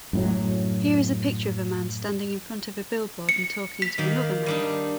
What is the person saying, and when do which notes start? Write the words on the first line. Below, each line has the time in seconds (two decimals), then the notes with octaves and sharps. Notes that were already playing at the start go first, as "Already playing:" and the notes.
Here is a picture of a man standing in front a billboard and talking to another man.
0.13 F#2 A2 F#3
3.29 C#7
3.82 B6
3.98 D#3 A#3
4.46 G3 D4 D#4